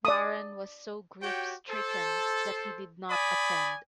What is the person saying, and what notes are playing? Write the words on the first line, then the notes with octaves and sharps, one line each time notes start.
Warren was so grief-stricken that he did not attend.
D5 D#6
F#4 G4 C#5 G5
A4 C5
D5 G#5 B5 D#6